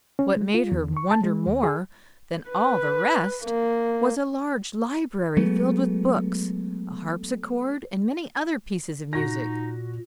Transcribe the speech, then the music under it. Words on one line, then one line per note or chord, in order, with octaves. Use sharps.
What made her wonder more than all the rest was a large library filled with books, a harpsichord, and many other pieces of music.
C#4
G#3
F4
E2
C#6
A5
G#3
D#2
G#4
B4
A#3
F#3 G#3 A3 B3
A#2 D#4 F#4 A#6